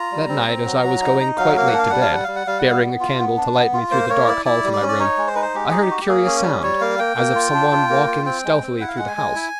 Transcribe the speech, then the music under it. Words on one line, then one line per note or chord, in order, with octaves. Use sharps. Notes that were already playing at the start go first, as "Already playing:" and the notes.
That night, as I was going quite late to bed, bearing a candle to light me through the dark hall to my room, I heard a curious sound, as of some one walking stealthily through the house.
Already playing: F4 A#5
G3
C4
C4
F#3
F#3
D#4
D#4
F#3 F5
A#3 F5
F#5
D4 F5
G3 F#5
F5
G3 F#5
G3 F5
F#5
G3 F5
F#5
B3 F5
B3
F4
B3
D4
B3
F4
A#3 C5
A#3 C#5
E4 D5
E4 D5
G3
D5
C#4
D5
D#4 C#5
G#3
C5
D#4 B4
C5
G#3 G4
D#4 G#4
G4
F#4
G4
A#3 G#4
C#4
G3
G3 C#5
A#3 F5
A#3 G5
A#3
F4
D4
F4
A#3
F4
C4 G5
G#3
C4
E4 F#5
F5
G#3 F#5
G#5
G#3
E4